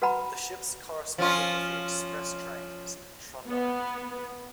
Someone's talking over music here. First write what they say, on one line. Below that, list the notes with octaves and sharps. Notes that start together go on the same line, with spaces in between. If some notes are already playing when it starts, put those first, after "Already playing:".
The ships corresponded with the express trains in Trondheim.
F#4 B4 F#5 A#5 B5
F3 C#4 F4
B3